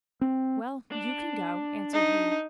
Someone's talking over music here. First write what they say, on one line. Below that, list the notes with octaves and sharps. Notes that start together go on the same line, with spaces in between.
'Well, you can go,' answered he.
C4
D4
D#4